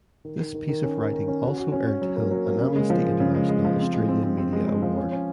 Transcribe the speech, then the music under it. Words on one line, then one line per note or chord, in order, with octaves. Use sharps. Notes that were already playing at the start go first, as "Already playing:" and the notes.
This piece of writing also earnt Hill an Amnesty International Australia Media Award.
D#3
D#3
D#3
D#3
C#4
D#3
D#3
C#4
F#4
F#4
C#4
C#4
F#3
A#3
F#3
A#3
C#3
G#3
F3
G#3
C#3
G#3
G#3
F3
C4
G#3
C4
C4
C4
G#3
G#3
F3
C#4
C#4